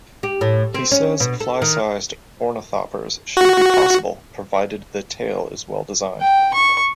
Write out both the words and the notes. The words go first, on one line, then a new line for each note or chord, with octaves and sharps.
He says fly-size ornithopters should be possible, provided the tail is well designed.
G4
A2
C4
C#4
B2
A4
D#3
F#4
G5
C#6